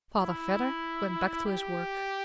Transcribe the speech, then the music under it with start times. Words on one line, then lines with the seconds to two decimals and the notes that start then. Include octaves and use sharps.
Father Vedder went back to his work.
0.18 E4
1.46 G4